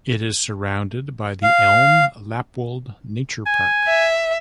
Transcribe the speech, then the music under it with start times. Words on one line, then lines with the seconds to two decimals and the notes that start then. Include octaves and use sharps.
It is surrounded by the Elm-Lappwald Nature Park.
1.43 F5
3.47 G#5
3.88 E5